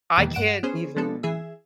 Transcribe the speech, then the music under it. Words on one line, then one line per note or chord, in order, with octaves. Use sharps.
I can't even
E2 B2 D#3 E3 G3 A#3
G2 F#5 D7 E7
B3 C#4 G#4 C5
F3 G#3 B3 D4 A4
E3 G#4 E5